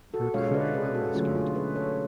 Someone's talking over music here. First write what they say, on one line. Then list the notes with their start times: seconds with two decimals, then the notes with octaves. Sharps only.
Her crew were rescued.
0.14 F#4 A4
0.34 B2 G#3 C#4 F4 C#5 F5
0.54 B4 D5
0.74 G#4 B4
0.95 F#4 A4
1.15 D3 F#3 A3 C#4 F4 G#4
1.35 F4
1.55 G#4 B4
1.75 A4 C#5